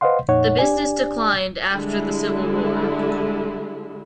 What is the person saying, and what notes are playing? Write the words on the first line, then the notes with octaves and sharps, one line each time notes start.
The business declined after the Civil War.
B4 C5 D#5 F5 F#5 C6
F2 A#2 D#4 C#5 F#5
D4 G4 D5 G#5
D3 G3 G#3 E4